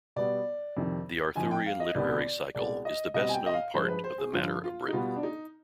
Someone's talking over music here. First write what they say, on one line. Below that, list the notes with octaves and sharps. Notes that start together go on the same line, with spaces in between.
The Arthurian literary cycle is the best known part of the Matter of Britain.
B2 G3 B3 D5
F2 C3 D#3
G#2 F3 C4 G#5
G5
F5
D#5
C2 C3 D#3 G3 B3 D5
C2 B2 G#3 D5
D#5
B2 G3 C4 D#5
G#5
G5
D#5
F5
G2 F3 G#3 C5
B4
C5
G#4
G2 D3 F3 F4
F4
D#4
B2 G3 B3 F4
D4
D#4